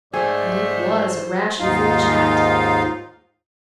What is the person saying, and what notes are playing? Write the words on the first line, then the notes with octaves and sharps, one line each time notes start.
And it WAS a rash and foolish act.
G#2 A3 G#4 C5 D5
D#2 G#2 D#4 F4 F5